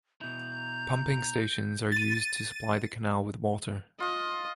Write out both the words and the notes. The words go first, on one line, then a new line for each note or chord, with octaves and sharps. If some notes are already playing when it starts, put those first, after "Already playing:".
Pumping stations are used to supply the canal with water.
B2 E4 A#5 G6
A6 D#7
F4 D#5